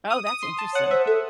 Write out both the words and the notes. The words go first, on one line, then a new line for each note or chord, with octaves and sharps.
Oh, that's interesting.
D#6
D#6
C6
A5
C#5 F#5
C5 E5
A4 E5